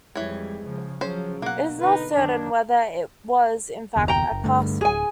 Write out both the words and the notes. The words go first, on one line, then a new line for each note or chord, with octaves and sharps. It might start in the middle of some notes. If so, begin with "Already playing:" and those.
It is not certain whether it was in fact a castle.
F2 E3 G3 G#3 C#5
C#3 F3
C#3 F3 F#3 C#4 C5
B2 A#3 F#5
D3 D#4 B4
F#2 D#3 D4
F#1 D#2 B2
G5 A#5
F#1
G2 D3 A3
D1 G1 G#4 G#5